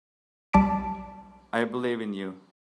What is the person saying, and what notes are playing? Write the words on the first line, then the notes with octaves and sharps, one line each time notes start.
I believe in you.
B1 G3 A5 D6 B6 D7